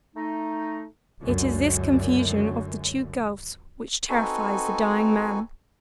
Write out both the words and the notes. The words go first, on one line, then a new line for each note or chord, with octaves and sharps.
It is this confusion of the two gulfs which terrifies the dying man.
A3 D#4
C#2 F#2 D3
C4 D#4 F#4 A4 B4 G#5